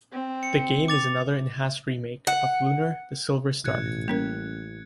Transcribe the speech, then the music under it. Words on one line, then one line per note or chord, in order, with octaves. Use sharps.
The game is another enhanced remake of "Lunar: The Silver Star".
C4
C#7
D6 A6 F7
F#5
A1 G#2 B2 F#6 G#6 C#7
G3 A#3 C#4 A#4